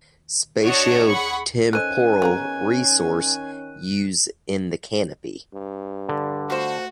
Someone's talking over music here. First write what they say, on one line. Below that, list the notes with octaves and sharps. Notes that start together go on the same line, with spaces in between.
Spatio-temporal resource use in the canopy.
D4 F#4 C#5 D#5 F#5 A5
G#4 F#5 B5 C#6
D#3 C#4 A4 C5 D#5 G#5 F#6 D#7
B3 G#4 A#4
G2
D3
A3 F4 F#4 C5